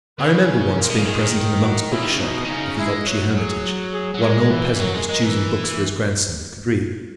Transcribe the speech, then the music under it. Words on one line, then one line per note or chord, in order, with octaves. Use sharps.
I remember once being present in the monks' bookshop of the Optchy Hermitage while an old peasant was choosing books for his grandson, who could read.
C#3 B4
A#4
A#2
B2
C#3
D#3 G#4
F#4
C#3 E4
D#3
C#3
B2 D#4
D#3
C#3 D#4
G#3 E4
F#3
G#4
G#4
F#3
G#3 A#4
E3 B4
F#3 A#4
G#3
G#3 A#4
E3